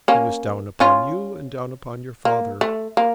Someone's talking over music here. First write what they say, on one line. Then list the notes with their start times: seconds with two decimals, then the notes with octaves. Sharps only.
He was down upon you and down upon your father.
0.08 A#3 C#4
0.80 C#4 F4
2.25 A#3
2.61 A3
2.97 A#3